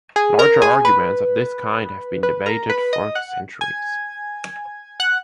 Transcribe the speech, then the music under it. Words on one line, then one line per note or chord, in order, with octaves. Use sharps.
Larger arguments of this kind have been debated for centuries.
G#4 G#5
A#4 A#5
G#4 G#5
B4
B4
A#4 A#5
B4 B5
D#5 D#6
F#5 F#6
G#5 G#6
F#5 F#6